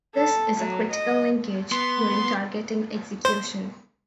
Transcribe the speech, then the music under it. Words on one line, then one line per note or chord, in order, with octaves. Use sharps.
This is a critical linkage during targeting execution.
A4
F#3
D#5
B3 C6
C5